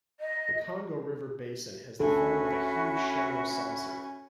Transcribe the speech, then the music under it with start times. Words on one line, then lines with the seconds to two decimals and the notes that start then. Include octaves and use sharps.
The Congo River basin has the form of a huge, shallow saucer.
0.20 D#5
2.00 D2 C#4 F#4 A4 E5 B5